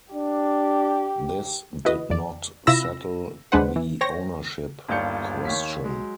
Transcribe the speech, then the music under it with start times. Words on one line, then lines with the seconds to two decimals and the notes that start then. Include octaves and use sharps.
This did not settle the ownership question.
0.14 D4 G4
1.85 E4 F#4 B4 D#5
2.10 F2 D5
2.67 C3 E4 F4 B5 E6 A#6
3.52 D#2 G#3 D4 B4 C5 F#5
3.76 E3
4.01 C5 C#5 G5 A#6
4.89 G1 D#2 D5 F5 G6 C#7
5.45 D#2 D#3 C#5 F5 B6
5.84 F#3 G#3